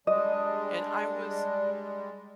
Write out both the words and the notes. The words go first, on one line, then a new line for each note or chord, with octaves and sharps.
And I was
G3 G#3 D4 D#5